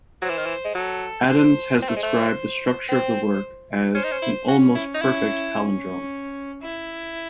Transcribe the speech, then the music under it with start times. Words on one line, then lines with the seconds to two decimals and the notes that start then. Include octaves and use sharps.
Adams has described the structure of the work as an "almost perfect palindrome".
0.22 F#3 C5
0.29 E3
0.38 D#3
0.45 E3
0.65 G#3
0.75 F#3 A4
1.29 C5
1.82 C4 C5
1.89 A3
1.96 G#3
2.03 A3
2.88 C4 C5
3.95 C#4 C5
4.04 D#4
4.12 C#4
4.22 E4
4.48 C#4 F#4
4.75 E4
4.94 D#4
5.02 C#4 E4
5.55 C#4
6.62 E4